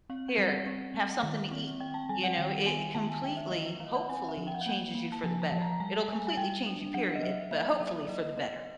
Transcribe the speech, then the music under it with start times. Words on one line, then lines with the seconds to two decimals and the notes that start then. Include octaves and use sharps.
Here, have something to eat," you know, it completely, hopefully changes you for the better. It'll completely change you, period, but hopefully for the better.
0.10 C4 F5
0.28 F#5
0.38 G3
0.47 F#5
0.66 C4
0.94 G3
1.23 D#3
1.51 C4
1.80 C4 G5
1.94 A5
2.09 G3 G#5
2.24 F#5
2.37 D#3 G5
2.66 B3 G#5
2.95 D#3 A5
3.10 G#5
3.23 D#3 G5
3.37 E5
3.51 A3 D#5
3.66 D#5
3.80 A3 F5
3.95 F#5
4.09 C4 G#5
4.29 E5
4.38 F3
4.47 G5
4.55 F#5
4.61 F5
4.66 A#3 F#5
4.95 A#3
5.12 A5
5.24 F3 G#5
5.42 A5
5.52 F3
5.62 A#5
5.80 G3 A5
6.09 G3 G#5
6.27 G#5
6.37 G3 G5
6.66 D4
6.94 F#3 F#5
7.15 D#5
7.22 F#3 E5
7.51 A#3 E5
7.80 F#3 D5
8.08 F#3 D#5
8.37 B3 D#5